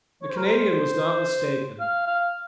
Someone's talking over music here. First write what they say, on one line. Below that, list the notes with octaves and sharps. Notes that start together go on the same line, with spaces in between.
The Canadian was not mistaken.
C#5
C5
A#4
C5
F5
F5